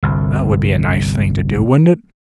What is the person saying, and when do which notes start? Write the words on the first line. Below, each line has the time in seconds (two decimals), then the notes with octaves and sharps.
That would be a nice thing to do, wouldn't it?
0.03 G1 C2